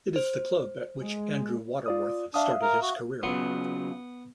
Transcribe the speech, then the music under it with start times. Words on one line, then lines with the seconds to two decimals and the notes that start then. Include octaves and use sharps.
It is the club at which Andrew Waterworth started his career.
0.16 C5
1.00 G#3
1.86 F4 D5 D#6
2.34 D4 E5 F5 D#6
2.62 A#4
2.82 F#4
3.23 C#3 F#3 B3 F4